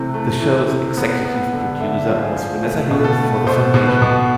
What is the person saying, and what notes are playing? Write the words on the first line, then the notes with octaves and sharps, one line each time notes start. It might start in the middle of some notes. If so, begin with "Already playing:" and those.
The show's executive producer was Vanessa Hill for The Foundation.
Already playing: C3 E3 A3
A3
E3
C3
B3
B3
D3
D3 E5
F3
G#4
F3
A3
B2
A4
A3
B2 C5
B2
B4
B2